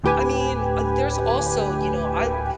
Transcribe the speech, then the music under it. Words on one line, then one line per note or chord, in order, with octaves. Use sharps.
I mean, uh, there's also, you know, I'll
D2 A2 G4 B4 G#5